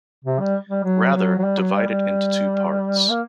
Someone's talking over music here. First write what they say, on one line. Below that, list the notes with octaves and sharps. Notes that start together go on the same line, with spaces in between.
Rather, divide it into two parts.
C3
G3
G3
F#3
F#3
F#3
G3
F#3
G3
G3
A#3